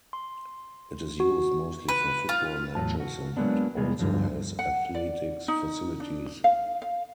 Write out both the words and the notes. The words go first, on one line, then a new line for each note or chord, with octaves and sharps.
It is used mostly for football matches and it also has athletics facilities.
C6
F#4
B4
F4
E2 A2 F3 F#3 A5
F#4
F#3 G#3 A#3 B3 D4
C3 G3 G#3 B3 G#4
G2 B2 D3 F3 F#3
F#5
D5
D#4
D4
F5
F5